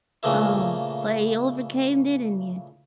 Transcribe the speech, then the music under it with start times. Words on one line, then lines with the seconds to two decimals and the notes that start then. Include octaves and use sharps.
um, but you overcame, didn't you?
0.23 A#2 C#3 E3 A3 A#3 E4